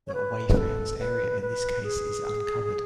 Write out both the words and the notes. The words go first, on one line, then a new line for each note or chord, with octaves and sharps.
The away fans' area in this case is uncovered.
C#5
B4
B4
A4
B4
B4
G#4